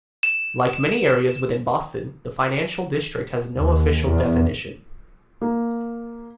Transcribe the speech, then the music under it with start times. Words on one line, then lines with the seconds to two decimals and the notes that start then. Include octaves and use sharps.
Like many areas within Boston, the Financial District has no official definition.
0.23 E7
3.56 D#2
4.06 E2
5.42 A#3